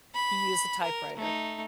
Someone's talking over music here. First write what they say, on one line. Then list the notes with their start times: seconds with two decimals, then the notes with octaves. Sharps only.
he used a typewriter.
0.15 B5
0.82 A#4
1.17 A3 D#4